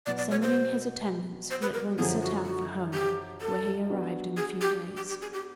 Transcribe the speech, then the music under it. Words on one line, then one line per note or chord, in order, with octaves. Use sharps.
Summoning his attendants, he at once set out for home, where he arrived in a few days.
B2 F#3 B3 D5
D5
C#5
C5
C5
B4
A#4
F#2 D3 F3 G#4
F#4
F#4
G4
A4
F#3 B3 D4
G#4
G4
G4
G4
G#4
G4